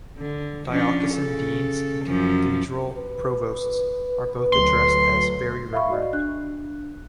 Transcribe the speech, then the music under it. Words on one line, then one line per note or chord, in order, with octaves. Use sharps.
Diocesan deans and cathedral provosts are both addressed as "Very Reverend".
D3
F3 C#4 D4
C#3 A4
F#2 F3 C#4
B4
D2 F#3 A3 C6
E5 F5 B5 C#6
F#4 D5 D#5
D4 F#6